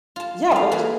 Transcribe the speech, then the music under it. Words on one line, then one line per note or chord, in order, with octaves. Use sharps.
Yeah, but
F4 A5
A3 F5
E3 A#3 F4 G#4